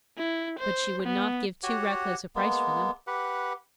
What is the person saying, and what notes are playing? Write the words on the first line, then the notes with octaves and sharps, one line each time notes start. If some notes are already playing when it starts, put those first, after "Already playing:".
But she would not give too reckless a price for them.
E4
C5
B3
F#4 G4 C#5 F#5
G#3 A#3 B3
G4 B4 F#5